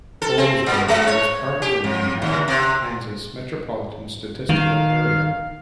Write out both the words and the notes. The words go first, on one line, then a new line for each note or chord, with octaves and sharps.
Olsburg is part of the Manhattan, Kansas Metropolitan Statistical Area.
A4
C4
A#2
G#3
C#5
G4
F2
D#2
C3
D#3 F5